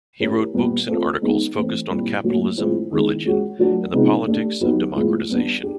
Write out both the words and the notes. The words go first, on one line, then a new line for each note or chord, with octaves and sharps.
He wrote books and articles focused on capitalism, religion, and the politics of democratization.
A3 C#4 E4 G4 A#4
A#2 G3 B3
A3 C4 F4 A4
G#3 B3 D#4
E3 A3 C4
A#2 G3 C4 E4
A2 F#3 A#3
A2 F3 G#3 C4 E4
D#3 G#3 B3 E4
G#3 C#4 F#4
F#3 A3 D4 F#4 A#4
C3 F3 G#3 B3 D#4
A3 D4 G4
F#3 B3 D#4 G4
A2 F3 G#3 B3 E4
G3 B3 D4
D4 G4